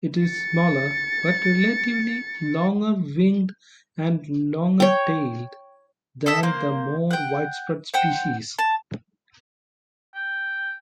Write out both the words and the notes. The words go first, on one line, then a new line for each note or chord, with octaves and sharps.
It is smaller, but relatively longer-winged and longer-tailed than the more widespread species.
A6 C#7
C#5 G5
A4 D#5 E5
A#3 C5
F#5 G5
C5 F#5 G5
A5
G5